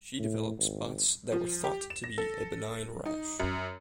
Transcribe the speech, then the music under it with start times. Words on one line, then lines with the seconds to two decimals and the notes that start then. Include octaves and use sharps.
She developed spots that were thought to be a benign rash.
0.19 A2
0.58 G#1
1.32 F3
1.64 G4
1.90 E7
2.04 A#6
2.18 A4
3.05 D#4
3.40 F#2